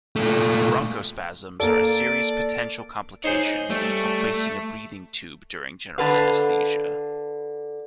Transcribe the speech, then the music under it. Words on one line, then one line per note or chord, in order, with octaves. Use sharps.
Bronchospasms are a serious potential complication of placing a breathing tube during general anesthesia.
A#2 A3
A#3 A4 D5
D#4 G#4 C5 C#5
G3 A3
D3 A4 B4 F5